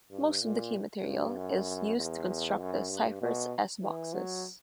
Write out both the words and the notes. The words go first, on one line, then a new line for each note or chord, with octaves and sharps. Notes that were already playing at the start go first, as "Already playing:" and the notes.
Most of the key material is used to construct the cipher's S-boxes.
G2
A#2
G2
F#2
E2
F#2
G2
B2
E3
F#3